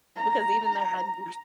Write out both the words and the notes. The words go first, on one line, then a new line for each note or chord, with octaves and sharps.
because even though I used
A#5